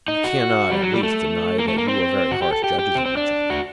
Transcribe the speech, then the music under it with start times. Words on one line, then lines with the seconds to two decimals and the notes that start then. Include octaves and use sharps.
"You cannot, at least, deny that you are very harsh judges of each other."
0.08 D#4
0.24 F#4
0.71 G3
0.82 F#3
0.93 G3
1.03 A3
1.59 A#3
1.68 A3
1.78 A#3
1.88 C4
2.31 F#4
2.42 G4
2.52 A4
2.64 G4
2.79 G4
2.95 C4
3.06 C4
3.17 D4
3.50 F#4